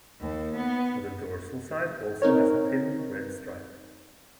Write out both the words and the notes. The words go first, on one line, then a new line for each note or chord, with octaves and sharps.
The dorsal side also has a thin red stripe.
D#2
B3
C4 D#4 A#4 C#5